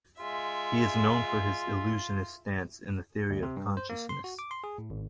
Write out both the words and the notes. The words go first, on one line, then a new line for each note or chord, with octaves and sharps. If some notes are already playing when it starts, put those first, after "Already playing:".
He is known for his "illusionist" stance in the theory of consciousness.
G#3 F4 E5
D2
C3
G2
C5
A#3
C6
F#4
D6
C6
G#4
A2
G#1